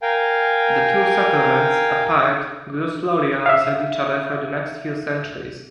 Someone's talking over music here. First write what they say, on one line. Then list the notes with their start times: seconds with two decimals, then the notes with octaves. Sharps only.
The two settlements, apart, grew slowly alongside each other for the next few centuries.
0.02 A#4 F5 G5 G#5
3.46 E5 F5